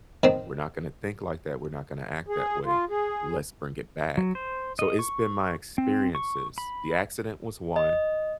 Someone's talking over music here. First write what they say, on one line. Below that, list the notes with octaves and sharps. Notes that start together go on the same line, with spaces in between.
we're not gonna think like that, we're not gonna act that way, let's bring it back," so it's been my experiences. The accident was one,
D#3 C4
G#4
F4
G#4
F#3
C5
D#5
C#6
C4
C#6
B5
D#5